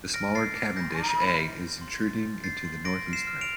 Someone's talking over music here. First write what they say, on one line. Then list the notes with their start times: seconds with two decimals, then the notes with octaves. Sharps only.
The smaller Cavendish A is intruding into the northeast rim.
0.14 F6 A#6 D7
0.35 A5 A6 C7
0.56 D6
0.76 A5 G6 A#6
0.98 F6
1.18 C6
1.39 G6
1.61 G6
1.81 C6
2.02 C6 A6
2.23 G6
2.44 G6 A6 C7
2.65 C6
2.85 C6 A#6 D7
3.06 F6
3.13 C7 E7
3.27 F6
3.41 D7 F7